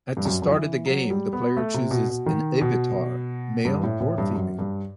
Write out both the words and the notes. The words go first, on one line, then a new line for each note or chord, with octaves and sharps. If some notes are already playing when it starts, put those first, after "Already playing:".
At the start of the game, the player chooses an avatar, male or female.
G2
F#2
F#2
E3
F#3
G3
B3
A3
C3
B2
B2
D#3
B2
G2
A2
A2
G2
F#2
G2